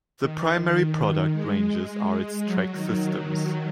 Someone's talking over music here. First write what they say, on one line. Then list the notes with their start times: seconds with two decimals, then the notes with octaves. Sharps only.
The primary product ranges are its track systems.
0.20 D#3
0.76 D#3
1.32 G#3
1.60 G#3
1.88 G#3
2.46 F#3
2.72 D#3